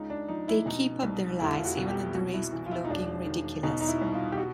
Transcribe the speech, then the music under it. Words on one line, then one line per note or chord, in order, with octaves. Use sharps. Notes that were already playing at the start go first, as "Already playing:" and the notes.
They keep up their lies, even at the risk of looking ridiculous.
Already playing: C#2 D#4
D4
F3 D#4
E4
B2 D#4
C2
F1 E4
F4
F#4
B2
G4
C2 F#4
E4
E3
F4
E4
D#4
E1 D4
D#3
B2 D#4
D#4
E4
C2
F4
G4
F#4